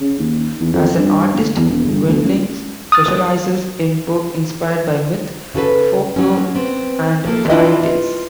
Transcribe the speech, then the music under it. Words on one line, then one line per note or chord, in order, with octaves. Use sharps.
As an artist, Windling specializes in work inspired by myth, folklore, and fairy tales.
C#3
D#2
E2
F2
G2
G1
E2
E1
G1
D2
C#2
D#6 F6 F#6 A6
C#3 F#4 A4 B4
F#3 C#4
B3 C4
F3 A#3 A4
D4 E4 F4 B4 D#5
F4